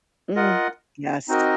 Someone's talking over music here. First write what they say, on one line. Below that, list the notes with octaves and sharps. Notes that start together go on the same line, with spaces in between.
Mm. Yes.
F4 A#4 D#5 F#5
C4 D#4 F#4 A#4 D#5